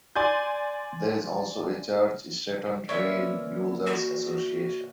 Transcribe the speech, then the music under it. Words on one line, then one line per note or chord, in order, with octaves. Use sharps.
There is also a Church Stretton Rail Users' Association.
D5 G#5 C6 G6
A#2 E3 A#4 C#5 D5 E5 F5
F#4